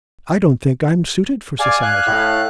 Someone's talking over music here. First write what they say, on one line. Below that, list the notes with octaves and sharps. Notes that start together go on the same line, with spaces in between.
'I don't think I'm suited for society.'
D5 F5 G#5
F5 F#6
A2